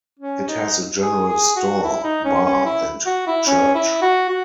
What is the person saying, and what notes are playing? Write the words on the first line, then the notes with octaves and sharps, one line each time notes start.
It has a general store, bar and church.
C#4
D#4
G#4
G#4
F#4
E4
D#4
C#4
C#4
E4
F#4
E4
C#4
E4
F#4
F#4